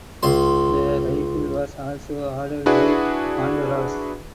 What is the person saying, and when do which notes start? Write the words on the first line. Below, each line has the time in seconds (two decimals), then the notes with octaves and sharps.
The rifle was also ordered by Honduras.
0.23 C#2 C6
2.66 D4 E4 F#4 G#4 B4